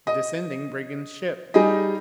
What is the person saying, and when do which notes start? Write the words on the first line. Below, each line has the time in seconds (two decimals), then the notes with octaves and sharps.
The descending brigand ship!
0.07 D#5
1.54 G3 D#4 G#4 D#5